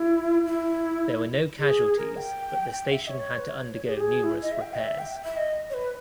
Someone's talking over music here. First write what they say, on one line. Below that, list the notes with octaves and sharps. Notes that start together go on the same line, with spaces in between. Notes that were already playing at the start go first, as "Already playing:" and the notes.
There were no casualties, but the station had to undergo numerous repairs.
Already playing: E4
E4
G#4
A#4
G5
G5
E5
C#5
B4
C#5
G#4
G4
G#4
E4
D#5
E5
G5
D#5
E5
G5
E5
D#5
C#5
B4